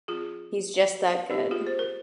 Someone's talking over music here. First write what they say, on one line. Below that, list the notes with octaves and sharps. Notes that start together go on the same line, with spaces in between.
He's just that good.
F3 C4 F4 G#4
G3 C4 D#4 G4
F4 G#4
C5
A#4